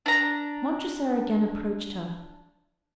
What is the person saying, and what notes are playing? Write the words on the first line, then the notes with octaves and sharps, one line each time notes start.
Montresor again approached her.
D4 A#5